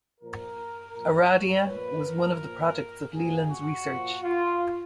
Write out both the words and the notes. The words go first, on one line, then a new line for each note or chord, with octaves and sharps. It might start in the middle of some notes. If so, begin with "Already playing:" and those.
"Aradia" was one of the products of Leland's research.
A#2 F3 A#4
A#2 F3
C#5
A#2 F3 B4
A#4
A#2 F3
A#2 F3 G#4
F#4
A#2 F3
F4